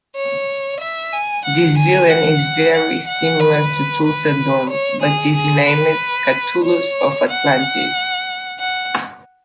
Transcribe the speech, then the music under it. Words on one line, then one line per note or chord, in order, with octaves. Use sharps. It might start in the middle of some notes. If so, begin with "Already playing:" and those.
This villain is very similar to Thulsa Doom, but is named "Kathulos of Atlantis".
C#5
E5
G#5
F#5
G#5
F#5
F#5
F#5
B4
B4
C#5
G#4
G#4
B4
C#5
F#5
F#5